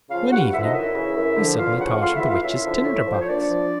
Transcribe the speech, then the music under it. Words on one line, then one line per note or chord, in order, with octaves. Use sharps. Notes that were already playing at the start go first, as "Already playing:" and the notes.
One evening he suddenly thought of the witch's tinder-box.
C#3 F3 F4 F5
G2 F#4 F#5
D3 F3 E4 E5
D#4 D#5
F#2 E4 E5
C#3 E3
F#2
D3 F3
E2 F4 F5
C#3 F3 F#4 F#5
A2 F4 F5
E4 E5
E3
F4 F5
F#2 E4 E5
D3 F3
A2
F3
C5
C#5
A#2 D4 D5
F3